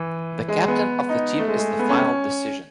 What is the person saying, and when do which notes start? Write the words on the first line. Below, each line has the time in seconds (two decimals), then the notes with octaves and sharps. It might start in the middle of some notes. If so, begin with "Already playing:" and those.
The captain of the team is the final decision.
Already playing: E3
0.48 G#3
0.68 B3
1.09 D#4
1.39 A3
1.48 G#3
1.59 G#3
1.79 B3
1.89 C#4